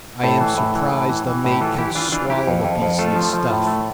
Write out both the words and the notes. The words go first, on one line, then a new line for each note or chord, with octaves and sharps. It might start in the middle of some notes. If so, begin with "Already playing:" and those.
I am surprised the mate can swallow the beastly stuff.
A2 A4 C5
E3
A2
E3
A2
E3
E3
A2
G4
E3 F4 A4
E3 E4 G4
E3 D4 F4
E3 D4 F4
E3 E4 G4
F2
F2
F2
A3 F4 A4
F3
F3
A2
A3